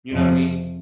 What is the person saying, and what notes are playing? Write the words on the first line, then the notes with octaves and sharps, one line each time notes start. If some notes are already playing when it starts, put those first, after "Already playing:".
You know what I mean?
F2 C3 F3